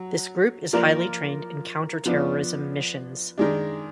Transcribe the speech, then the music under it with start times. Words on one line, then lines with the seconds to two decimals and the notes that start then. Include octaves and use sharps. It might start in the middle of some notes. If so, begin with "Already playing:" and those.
This group is highly trained in counter-terrorism missions.
Already playing: F#3
0.73 F3 A#3 F4 A#4 D5
2.06 F3 B3 D4
3.38 D#3 G#3 D4